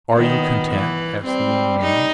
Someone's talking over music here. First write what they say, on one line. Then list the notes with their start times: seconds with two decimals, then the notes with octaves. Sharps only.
"Are you content?" asked the young man.
0.17 D#3 B3
0.72 E3
1.25 G3 C4
1.80 D#4